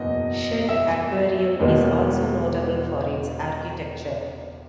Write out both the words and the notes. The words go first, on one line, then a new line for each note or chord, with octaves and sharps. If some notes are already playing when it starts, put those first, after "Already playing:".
Shedd Aquarium is also notable for its architecture.
Already playing: F#1 E2 B2 D#5
E5
E1 D#2 D#3 G#3 B3